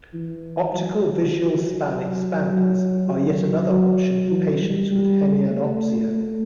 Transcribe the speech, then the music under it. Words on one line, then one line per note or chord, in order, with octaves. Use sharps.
Optical Visual Span Expanders are yet another option for patients with hemianopsia.
E3
F#3
F#3
F#3
F#3
E3
G3
G3
A3
A3